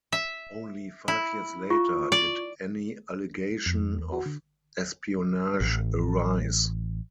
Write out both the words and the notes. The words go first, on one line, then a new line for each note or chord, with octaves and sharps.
Only five years later did any allegation of espionage arise.
E5
E4
F4 C#6
D5
F2
E2
F#4
D3
A1